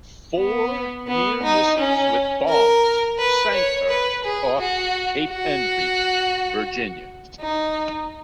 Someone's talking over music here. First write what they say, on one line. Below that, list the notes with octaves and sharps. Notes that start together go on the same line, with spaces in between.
Four near-misses with bombs sank her off Cape Henry, Virginia.
B3
B3
D#4
C#4
A#4
B4
C#5
B4
G#4
F#4
F#4
D#4